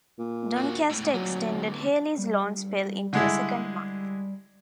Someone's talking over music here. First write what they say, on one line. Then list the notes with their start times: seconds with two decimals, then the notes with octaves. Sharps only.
Doncaster extended Healy's loan spell into a second month.
0.19 A#2
0.57 E2 F#4
0.90 C#2 A2
1.14 D2 A#2 F#3
2.18 G3
3.13 D3 G#3 E4